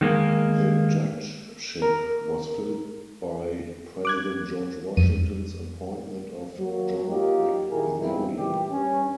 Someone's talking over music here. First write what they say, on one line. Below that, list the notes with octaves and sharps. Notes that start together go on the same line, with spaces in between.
The judgeship was filled by President George Washington's appointment of John McNairy.
D#3 G#3 A#3
A#4
D6 F#6 G#6
F2 D#7
F#3 A#3
F#3 A#3 D#4 F4 G4
A#2 D#3 E4 G4 G#4 A#4
B2 F3 G3 G#3 C4 E4
A#2 E3 G3 G4
G2 C#4